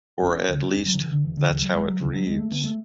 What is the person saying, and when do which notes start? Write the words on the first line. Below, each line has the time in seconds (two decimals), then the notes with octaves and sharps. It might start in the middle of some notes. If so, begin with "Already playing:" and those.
Or at least, that's how it reads.
0.22 E1 C#4
0.48 D2 C#3
0.73 E1 C#4
0.86 F#3
0.94 D3
0.99 D2 E3
1.03 C#3
1.12 D3
1.24 E1 E3
1.37 D3
1.50 D2 C#3 E3
1.62 F#3
1.75 E1 G#3
1.88 F#3
2.00 C#3 E3
2.04 D2
2.13 F#3
2.26 D2 G#3
2.38 A3
2.51 D3 B3
2.64 A3